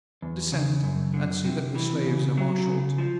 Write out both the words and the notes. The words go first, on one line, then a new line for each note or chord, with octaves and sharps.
Descend, and see that the slaves are marshalled.'
E2
C#3
F#2
D3
C3
E3
C#3
F#3
C#3
F3